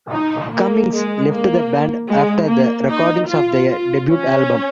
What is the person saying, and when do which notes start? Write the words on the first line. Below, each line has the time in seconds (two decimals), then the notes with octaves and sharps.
Cummings left the band after the recording of their debut album !
0.12 D#4
0.51 A#3
0.92 G#3
1.31 A#3
2.10 G#3
2.49 A#3
2.89 D#4
3.28 F4
3.68 F4
4.08 C#4